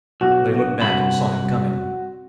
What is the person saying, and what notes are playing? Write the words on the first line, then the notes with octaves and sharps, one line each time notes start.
They looked back and saw him coming.
B1 D4 F#4
C2 C4 B5